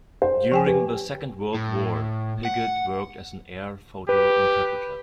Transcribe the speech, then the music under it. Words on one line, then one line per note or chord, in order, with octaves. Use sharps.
During the Second World War Piggott worked as an air photo interpreter.
C5
F3 G5 G#5
G4 B4
A2
F#5
G4 B4